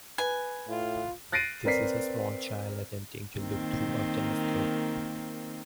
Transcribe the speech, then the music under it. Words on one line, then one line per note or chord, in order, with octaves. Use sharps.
This is a small child attempting to look through a telescope.
B4 G#5
A2 F4
F#6 A6 A#6 C7 D7 D#7
C4 A#4 B4 D5 B6 C7
D#3 A#3 C4